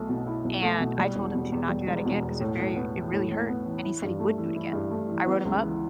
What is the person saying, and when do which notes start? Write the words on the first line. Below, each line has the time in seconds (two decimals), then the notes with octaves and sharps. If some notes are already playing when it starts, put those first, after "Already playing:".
and I told him to not do that again 'cause it very it really hurt, and he said he would do it again. I wrote him up,
Already playing: B1 A3
0.09 B2
0.26 E4
0.45 B1
0.62 A3
0.80 B2
0.98 G3
1.15 E1
1.34 B2
1.52 E2
1.69 G3
1.87 E1
2.05 B2
2.23 E2
2.40 A2
2.59 A2
2.76 B3
2.94 E3
3.13 A2
3.31 A2
3.49 B3
3.65 E3
3.84 E4
4.02 G2
4.19 A3
4.38 E3
4.55 E4
4.73 G2
4.90 A3
5.09 E3
5.26 B3
5.45 C#2
5.62 E3